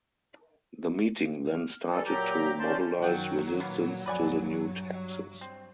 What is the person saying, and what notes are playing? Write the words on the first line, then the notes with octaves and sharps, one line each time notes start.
The meeting then started to mobilise resistance to the new taxes.
F6
E3 G3 A4
A#2 F#3 G4 A#5 D6 G6
D2 C#4 D5 A5 C6 G6
F#2 D#3 F#3 F#5 G5
A#2 A#3 B3
A#1 F2 B4 D5 G#5
G2
C4